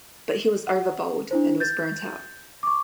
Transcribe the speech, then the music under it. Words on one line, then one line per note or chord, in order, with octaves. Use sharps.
But he was over-bowled and was burnt out.
F#5
D4 E4 C5
G6 A6
C#6 D6